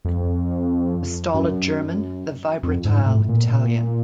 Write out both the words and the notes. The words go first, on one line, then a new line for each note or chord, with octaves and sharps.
The stolid German, the vibratile Italian!
F2
F#2
F2
G#2
A2
A#2